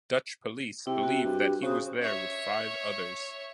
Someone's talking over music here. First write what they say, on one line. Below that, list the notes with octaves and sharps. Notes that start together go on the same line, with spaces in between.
Dutch police believe that he was there with five others.
C3 E4 G5
F#4
G2 G4
C#3 C#4 F#4 C5 D#6
C#5 E5